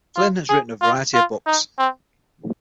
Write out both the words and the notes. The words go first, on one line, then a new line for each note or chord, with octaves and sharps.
Flynn has written a variety of books.
F4
G#4
F4
F4
D#4
C4